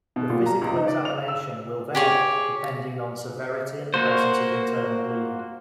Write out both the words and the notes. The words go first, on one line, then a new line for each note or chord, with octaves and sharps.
The physical examination will vary depending on severity and presence of internal bleeding.
B2
A#2
A#5
C#2
D#4
D5
F7
E6
G4 G#4 C#5
A#3 F#4 C5